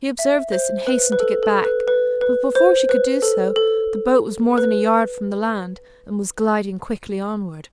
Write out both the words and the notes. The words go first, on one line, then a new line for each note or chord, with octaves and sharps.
She observed this, and hastened to get back; but before she could do so, the boat was more than a yard from the land, and was gliding quickly onward.
E5
C5
B4
B4
A4
A4
B4
B4
B4
C5
B4
A4
A4
B4